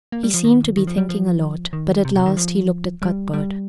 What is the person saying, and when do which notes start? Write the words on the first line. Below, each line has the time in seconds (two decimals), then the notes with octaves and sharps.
He seemed to be thinking a lot, but at last he looked at Cuthbert.
0.12 A#3
0.23 G3
0.34 F3
0.44 D#3
0.77 D#3
0.87 F3
0.98 G3
1.09 F3
1.73 D#3
2.05 C3
2.16 C3
2.26 D#3
2.37 F3
3.02 G3
3.34 G3